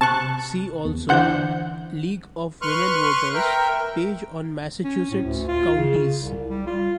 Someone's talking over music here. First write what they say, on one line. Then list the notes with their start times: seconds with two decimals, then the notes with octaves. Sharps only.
See also: League of Women Voters page on Massachusetts counties.
0.01 C3 A5 C#6 F#6
0.85 E2
1.09 D3 E3 D4 C5 F#5 G6
2.62 B4 C6 C#6 F6 F#6
3.34 A#4 E5 G5
4.84 C#4
5.11 A2
5.23 D2
5.48 F4
5.76 C#3
6.18 C2
6.49 G3
6.66 F4